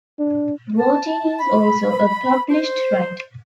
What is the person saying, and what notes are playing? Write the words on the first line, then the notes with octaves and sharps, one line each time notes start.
Vlautin is also a published writer.
D4
A5
B5
C5